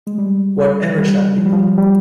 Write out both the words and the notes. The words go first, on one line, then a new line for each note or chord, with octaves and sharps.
What ever shall we do?
G#3
G3
G3
F3
G3
F3
G3